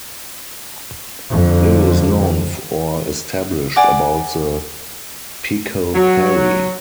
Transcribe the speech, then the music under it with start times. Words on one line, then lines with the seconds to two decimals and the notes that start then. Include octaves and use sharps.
Little is known or established about the Pichal Peri.
1.30 F2 D3
3.76 D5 F#5 G#5 D6
5.95 F#3